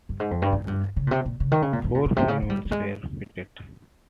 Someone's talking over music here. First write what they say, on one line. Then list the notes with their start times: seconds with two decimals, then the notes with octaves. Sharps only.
Four funnels were fitted.
0.09 G2
0.20 G#2
0.31 F2
0.42 G2
0.52 G#2
0.68 G2
0.96 C#3
1.07 A#2
1.11 C3
1.26 A#2
1.40 C#3
1.52 D#3
1.62 C#3
1.73 A#2
1.84 D#3
1.95 A#2
2.06 A#2
2.16 C3
2.28 C#3
2.42 G#3
2.50 G3
2.65 G3
2.71 G#3